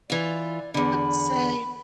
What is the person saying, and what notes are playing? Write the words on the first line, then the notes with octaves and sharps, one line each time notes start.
I would say,
E3 F4 D5
E2 D3 B5